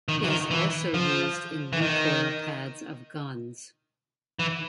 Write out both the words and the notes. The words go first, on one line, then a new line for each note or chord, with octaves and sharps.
It is also used in recoil pads of guns.
D#3
E3
D#3
E3
F3
E3
D#3
E3